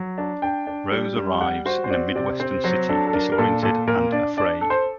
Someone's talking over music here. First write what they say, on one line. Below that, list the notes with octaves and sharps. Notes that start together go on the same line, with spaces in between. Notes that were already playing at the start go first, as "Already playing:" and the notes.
Rose arrives in a Midwestern city, disoriented and afraid.
Already playing: F#3
D4
D4 G5
D4
G3
G3
G3 F#5
F#4 C5
C5
C4 D5
C3 D5
C4 C5
F#3 C5
D4 A4
A4
D4 A#4
A#4
A#2 A4
A#2 A4
A#2 A#4
D4 D5
D4 D5
A4
C5